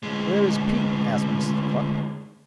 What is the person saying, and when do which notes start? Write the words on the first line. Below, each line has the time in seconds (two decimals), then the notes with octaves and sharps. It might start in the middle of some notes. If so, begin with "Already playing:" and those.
'Where is Peep?' asked Mrs. Cluck.
0.03 D2 G#3